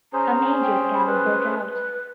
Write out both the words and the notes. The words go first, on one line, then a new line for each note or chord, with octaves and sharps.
A major scandal broke out.
C#4 G#4 C5 A#5
G5
B5
B4
B4